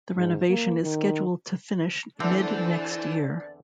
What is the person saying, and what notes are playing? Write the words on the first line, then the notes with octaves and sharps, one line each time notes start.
The renovation is scheduled to finish mid next year.
G#2
A#3
D#3
E2 D3 E3 C4 D4 A4 C5 D5